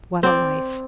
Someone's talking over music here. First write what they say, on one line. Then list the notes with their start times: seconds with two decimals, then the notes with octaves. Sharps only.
What a life!
0.23 C4 D5